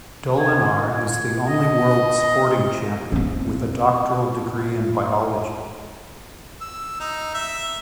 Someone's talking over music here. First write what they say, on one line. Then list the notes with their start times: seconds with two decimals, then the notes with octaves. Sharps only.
Dolinar is the only world sporting champion with a doctoral degree in biology.
0.39 G#5
1.47 D#5
3.12 B3 C4
6.61 E6
7.00 D#4
7.34 E5